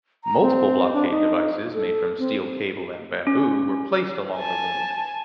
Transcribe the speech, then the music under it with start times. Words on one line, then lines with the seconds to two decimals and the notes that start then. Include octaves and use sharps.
Multiple blockade devices made from steel cable and bamboo were placed along the road.
0.24 A#5
0.42 C4
0.94 D4
1.11 D#4
1.74 A4
2.19 C4
3.27 C#4
4.37 G#5 A5